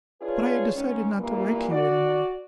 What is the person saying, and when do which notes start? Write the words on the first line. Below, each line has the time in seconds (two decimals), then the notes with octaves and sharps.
But I had decided not to write to you any more.
0.21 D4 F4 G#4 B4 C#5
0.74 G#2 D#3 C#4
1.19 G2 A#2 E3 A#3
1.70 F#4 D5